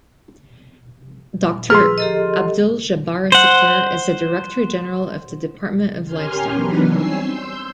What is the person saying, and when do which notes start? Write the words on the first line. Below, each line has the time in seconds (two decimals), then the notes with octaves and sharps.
Doctor Abdul Jabbar Sikder is the Director General of the Department of Livestock.
1.70 F3 G#4 B4 A#5 C6 E6 F6
1.98 G4 A4 D#5
3.32 C5 F#5
6.05 C#4 G4 A#4 G#5 C6 F6
6.50 E3 F#3 B3 D4 D#4 B4
6.88 G3 C4 C#5 G#5 E6 C7
7.19 C6 E6 G6